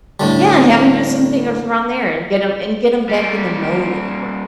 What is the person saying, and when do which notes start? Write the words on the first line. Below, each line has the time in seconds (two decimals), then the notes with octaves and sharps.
Yeah, have him do some things around there and get him and get him back in the mode of work.
0.20 A2 D3 G3
3.09 G3 A#3